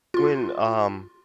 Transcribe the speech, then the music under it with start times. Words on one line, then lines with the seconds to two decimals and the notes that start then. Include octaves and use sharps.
when um,
0.14 F4 C6